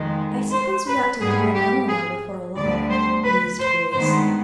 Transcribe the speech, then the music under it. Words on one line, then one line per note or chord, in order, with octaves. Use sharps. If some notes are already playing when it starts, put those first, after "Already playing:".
"I suppose we ought to call on Eleanor before long," mused Grace.
Already playing: F2 D#3 G#3
C5
B4
G#2 G3 B3 G#4
G4
G#4
D2 D3 G3 B3 D5
C5
B4
C5
G2 D#3 G#3 B3 C5